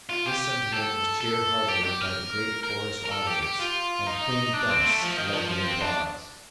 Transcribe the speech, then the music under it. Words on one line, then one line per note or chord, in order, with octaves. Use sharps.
This sentiment was cheered heartily by the great forest audience, and "Queen Bess" led the applause!
F4
G4
A4
A4
G4
G4
A#4
A#4
A#4
A4
G4
G4
F4
D#4
D4
C4
A3
F3
D#3
F3
F3
C4
D4